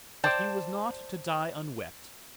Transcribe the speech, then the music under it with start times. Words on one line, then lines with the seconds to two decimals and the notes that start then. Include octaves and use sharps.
But he was not to die unwept.
0.24 C5 D5 G5 A5